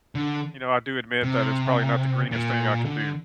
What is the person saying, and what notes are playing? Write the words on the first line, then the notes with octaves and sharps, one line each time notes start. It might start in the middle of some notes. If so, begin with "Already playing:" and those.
you know, I do admit that it's probably not the greenest thing I could do.
D3
C3
A#2
D3